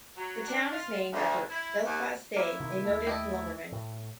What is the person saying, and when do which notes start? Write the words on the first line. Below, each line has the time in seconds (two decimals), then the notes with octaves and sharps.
The town is named after Eliphaz Day, a noted lumberman.
0.16 F#3
0.47 D4
0.71 F4
1.13 D2
1.50 E4
1.84 D#2
2.36 A#3 E4 E5
2.60 C3 D#3
2.85 D#2 A3
3.07 A4 D#5 G5
3.72 A2